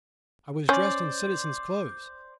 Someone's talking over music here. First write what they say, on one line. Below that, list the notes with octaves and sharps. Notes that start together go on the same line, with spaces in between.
I was dressed in citizen's clothes.
C#4 C5 D5